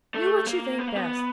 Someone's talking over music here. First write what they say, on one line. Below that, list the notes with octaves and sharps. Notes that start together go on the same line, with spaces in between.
Do what you think best.
A3
A#3
B3
A#3
B3